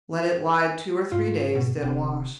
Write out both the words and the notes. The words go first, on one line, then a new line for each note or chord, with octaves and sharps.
Let it lie two or three days, then wash.
G#2 F4
B2
D1 C3